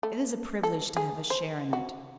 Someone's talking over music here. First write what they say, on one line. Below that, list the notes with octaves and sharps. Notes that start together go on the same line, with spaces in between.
It is a privilege to have a share in it.
A3
A4
G#4
C5
F#4